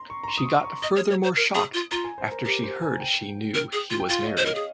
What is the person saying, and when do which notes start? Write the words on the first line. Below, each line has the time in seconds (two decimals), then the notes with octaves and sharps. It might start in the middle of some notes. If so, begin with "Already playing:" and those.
She got furthermore shocked after she heard she knew he was married.
Already playing: A#5 C6
0.10 C#6
0.24 A#5
0.28 C6
0.38 D#6
0.46 C#6
0.64 C#6
0.82 D#5 D#6
0.96 C#5
1.10 C#5
1.23 C5
1.37 A#4
1.55 G#4
1.74 F4
1.91 F4 A#5
2.04 G#5
2.18 C5
2.31 A#4
2.45 G4 A#4
2.63 C5
2.82 G#5
3.00 G5
3.55 A#4
3.73 G#4
3.90 F4
4.00 G5
4.09 F4 F5
4.22 C#5
4.27 D#5
4.36 C5 C#5
4.45 A#4 D#5
4.55 G#4